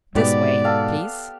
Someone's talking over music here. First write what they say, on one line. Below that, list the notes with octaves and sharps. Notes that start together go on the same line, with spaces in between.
"This way, please."
G#2 B2 B3 G4 D5
A4 F5 G5